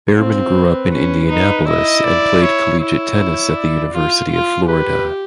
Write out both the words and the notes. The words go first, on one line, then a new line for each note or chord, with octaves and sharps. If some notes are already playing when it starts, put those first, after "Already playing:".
Behrmann grew up in Indianapolis and played collegiate tennis at the University of Florida.
C4 F4
B4
C#4
D#4
E4 D#5
D5
C#5
E4 C#5
D5
F4
F4
G4 B4